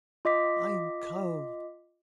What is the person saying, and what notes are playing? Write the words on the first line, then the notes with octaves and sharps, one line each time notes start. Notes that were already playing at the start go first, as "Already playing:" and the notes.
"I am cold."
F4 D#5 D6 B6